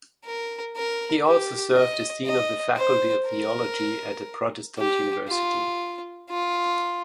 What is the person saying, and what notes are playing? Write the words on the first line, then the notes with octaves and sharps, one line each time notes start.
He also served as dean of the Faculty of Theology at the Protestant University.
A#4
A#4
G4
D#5
D#5
C5
A#4
G4
F4
F4